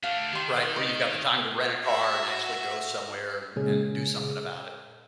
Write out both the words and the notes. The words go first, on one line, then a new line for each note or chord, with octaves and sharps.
Right, where you've got the time to rent a car, and actually go somewhere and and do something about it.
A3 D4 F5
D#3 G4 C6
D#5
F#4 E5
A#2 C#3 G#3 C#4 G#4